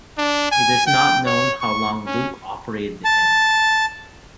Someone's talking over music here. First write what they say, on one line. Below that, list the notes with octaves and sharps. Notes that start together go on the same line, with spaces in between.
It is not known how long Luke operated the inn.
D4
G#5
G5
C#5
C#6
C#4
A5